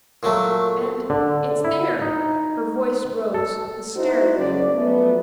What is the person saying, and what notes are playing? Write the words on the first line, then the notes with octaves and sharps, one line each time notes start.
"And it's there," her voice rose, hysterically.
A#2 F#3 A3
D3
E4
D#4
A4
D#4 E4 F#4 C5
F2 C#3 F#3 A#3 C#4 D5
F3 F#3 A3 B3